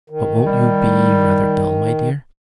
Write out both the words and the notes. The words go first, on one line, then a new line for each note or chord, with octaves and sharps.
"But won't you be rather dull, my dear?"
D#3
G3